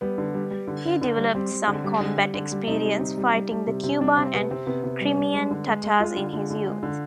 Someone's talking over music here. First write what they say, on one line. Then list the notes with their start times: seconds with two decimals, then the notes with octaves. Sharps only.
He developed some combat experience fighting the Kuban and Crimean Tatars in his youth.
0.01 G3 B3
0.18 D3
0.34 G3
0.51 G3
0.68 D3
0.85 D3
1.02 D3
1.17 G3
1.35 G3 C4
1.52 G3
1.68 D3
1.84 G3
2.01 D3
2.17 G3
2.34 D3
2.52 G3
2.67 C3 D#4
2.85 G3
3.01 C3
3.18 G3
3.34 G3
3.51 G3
3.67 C3
3.83 C3
4.00 G3 D4
4.17 C3 C4
4.33 C3 B3
4.51 C3 C4
4.67 C3 B3
4.84 C3
5.01 G3
5.17 G3
5.34 G#3
5.51 D3
5.67 G#3
5.84 G#3
6.00 G#3 F4
6.17 D3
6.33 D3
6.50 D3
6.67 G#3
6.83 D3